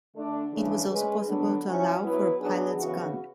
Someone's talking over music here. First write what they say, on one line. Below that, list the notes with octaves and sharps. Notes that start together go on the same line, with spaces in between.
It was also possible to allow for a pilot's gun.
D3 A3 D4
C#3 E3 A3 D4
G#3 C#4 G#4 B4
D3 F#3 B3 D4
F#3 C#4 E4
F#3 B3 E4 B4
F#3 B3 D4 G#4
C#3 E3 B3 F#4 B4